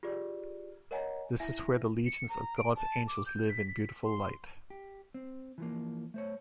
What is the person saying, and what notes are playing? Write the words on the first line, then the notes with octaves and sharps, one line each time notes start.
This is where the legions of God's angels live in beautiful light.
F4 G4 G#4 D5
A#4 C#5 D#5 F#5 G#5 A#5
E4 E5 G#5 A#6
C#7
A#5
D7
A5
D6
G6
B6
B6
C6
G4
C4
E3 F3 A#3
A3 C5 C#5